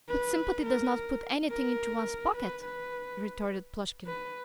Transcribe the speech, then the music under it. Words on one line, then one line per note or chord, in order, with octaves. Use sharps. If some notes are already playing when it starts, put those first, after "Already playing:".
"But sympathy does not put anything into one's pocket," retorted Plushkin.
B4
A#4
A#4
B4
B4
B4